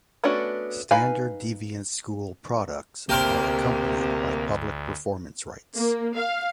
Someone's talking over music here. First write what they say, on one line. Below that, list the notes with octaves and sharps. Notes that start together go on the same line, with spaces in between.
Standard Deviants School products are accompanied by Public Performance Rights.
A3 B3 C#4 D4 F#4
D#4 B4 F5 G#5
D2 C3 A#3 G4 A#4 C5
A#3
F5